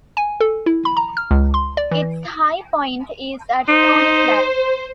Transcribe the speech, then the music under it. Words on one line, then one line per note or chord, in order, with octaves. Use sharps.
Its high point is at Thorny Flat.
G#5
A4
E4
B5
A#5
F6
C#2
C6
D5
E3
D#4 C5